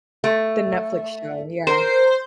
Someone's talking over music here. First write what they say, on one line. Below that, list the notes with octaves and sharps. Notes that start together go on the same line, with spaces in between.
The Netflix show, yeah.
A3
A#4 C5